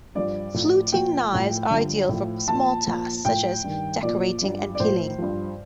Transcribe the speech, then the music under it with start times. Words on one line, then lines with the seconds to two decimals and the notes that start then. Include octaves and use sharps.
Fluting knives are ideal for small tasks such as decorating and peeling.
0.15 G2 F3 D5
0.54 A2 F3
0.93 A#2 F3 G5
1.32 A2 F3
1.70 G2 D3 F3
2.09 A2 F3
2.48 A#2 F3 A5
2.87 A#2 F3
3.25 A2 F3 G5
3.64 G2 D#3
4.02 A#2 F3 D5
4.41 G2 F3
4.75 D5
4.80 A2 F3 C5
5.18 G2 F3